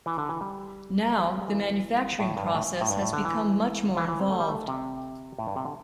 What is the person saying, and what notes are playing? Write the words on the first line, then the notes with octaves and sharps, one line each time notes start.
Now, the manufacturing process has become much more involved.
E3
D3
E3
G3
G3
E3
A2
G2
A2
A2
G2
A2
D3
E3
E3
E3
C4
A3
G3
A3
C3
A2
G2
C3
D3